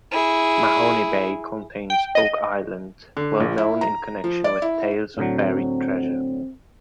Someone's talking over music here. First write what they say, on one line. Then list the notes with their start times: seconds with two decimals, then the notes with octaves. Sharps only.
Mahone Bay contains Oak Island, well known in connection with tales of buried treasure.
0.12 E4 G#4
1.90 G5
2.15 D#5
3.17 D3
3.40 A#1
3.58 E4
3.81 A#5
4.24 F3
4.44 D5
4.62 E4
5.17 A2 D3 F#3 C4